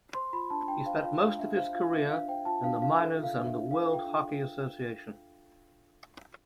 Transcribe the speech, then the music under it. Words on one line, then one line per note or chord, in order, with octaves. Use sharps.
He spent most of his career in the minors and World Hockey Association.
C5 C6
F4 B5
D4 A5
D4 G5
C5 F5
F4 F5
D4 F5
D4 E5
C5 F5
F4 F5
D4 E5
D4 F5
C5 G5
F4 A5
D4 F5
D4 F5
A4 E5
F4
F5
D4
E5
D4
A4 F5
F4
G5
D4